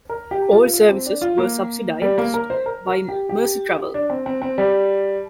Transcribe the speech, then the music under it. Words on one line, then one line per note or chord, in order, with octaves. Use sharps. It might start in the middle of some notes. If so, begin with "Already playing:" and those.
All services were subsidised by Merseytravel.
A#4
G4
F4
F4
C4
D4
F4
A#3
G3
A#3
A#4
C5
A#4
A#4
G4
G4
D4
C4
C4
C4
G3